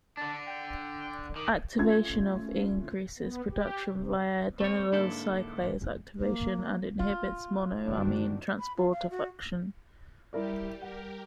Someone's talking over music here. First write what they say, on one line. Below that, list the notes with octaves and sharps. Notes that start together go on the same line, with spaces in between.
Activation of increases production via adenylyl cyclase activation and inhibits monoamine transporter function.
D3 D4 A5
G5
D#3 D6
A3 C#4 F4 G#6
B3
G4
C3
A3 C4 C#5
G#2 D3 A#3 D4 E4 A4
G#1
F1 F2 G#3
A#3
F4
G1 D#3 D4 F#4
B5
F4
F5
F#4
G3 E4 G4 A#4 D5
G4 A#4 F#5